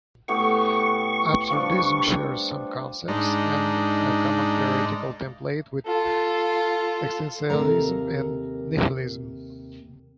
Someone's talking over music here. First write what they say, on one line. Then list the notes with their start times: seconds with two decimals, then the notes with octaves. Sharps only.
Absurdism shares some concepts, and a common theoretical template, with existentialism and nihilism.
0.28 A2 B3 G4 C#6
1.50 F3 G3 D4
3.08 G#2 D4 D#4
5.86 F4 A4
7.50 D#2 C3 A4 A#4 F5 A#5